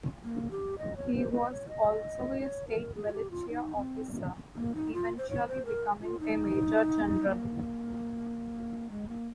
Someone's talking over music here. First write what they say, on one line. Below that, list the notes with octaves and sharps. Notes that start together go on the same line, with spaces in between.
He was also a State militia officer, eventually becoming a major general.
A#3
G4
D#5
C#5
C5
D#5
C#5
D#5
C#5
A#4
G#4
F4
G4
F4
D#4
C4
A#3
D#4
F4
C5
C#5
C5
A#4
F4
D#4
A#3
G#3
A#3